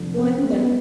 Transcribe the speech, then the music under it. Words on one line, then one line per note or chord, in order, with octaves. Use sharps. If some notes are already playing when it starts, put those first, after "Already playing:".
Well, I think that
Already playing: F1 F2 D3
C4
A3
B3